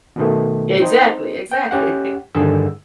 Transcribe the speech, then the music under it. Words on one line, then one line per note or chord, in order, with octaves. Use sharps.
Exactly, exactly.
B2 D#3 A3
C4 D#4
G5
C#4 G4 F#5
G2 D3 D#3 G#4 E6